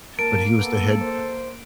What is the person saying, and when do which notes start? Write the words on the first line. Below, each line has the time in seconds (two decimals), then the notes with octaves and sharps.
but he was the head
0.19 A#3 A#4 A5 D7
0.59 B3 A4
1.01 C5